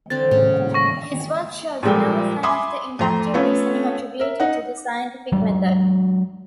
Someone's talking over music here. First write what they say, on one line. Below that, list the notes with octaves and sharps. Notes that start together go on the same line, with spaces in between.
His work shows no sign of the inductive reasoning attributed to the scientific method.
D3 C4 A6
A2 C#3
C#6 A#6
A#2 F3 G3 G#3 A4 G5
E5 G#5 B5 C6 D6 D#6
F2 A3 A#5 C6
A3 B3 C#4 F4 A4 C#5
A#4 E5
D#4 F#5
F#3 G#3 D4